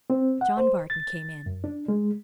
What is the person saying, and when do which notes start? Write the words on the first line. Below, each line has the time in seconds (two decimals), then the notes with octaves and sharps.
John Barton came in.
0.10 C4
0.41 F#5
0.57 C5
0.90 A6
1.46 F#2
1.64 D4
1.88 G#3